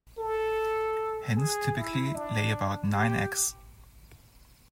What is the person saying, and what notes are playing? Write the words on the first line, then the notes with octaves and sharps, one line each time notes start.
Hens typically lay about nine eggs.
A4
G#4
E4
D4
G4